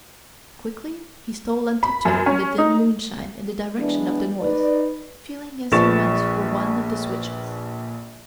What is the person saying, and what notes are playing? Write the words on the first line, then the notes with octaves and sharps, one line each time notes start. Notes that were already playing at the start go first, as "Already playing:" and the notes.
Quickly he stole on tiptoe in the dim moonshine in the direction of the noise, feeling as he went for one of the switches.
B5
F#2
C#4
D#4
E3 G#3 B3 D4
D#4 B4 D5
A#1 F3 B4 C#6 A6 E7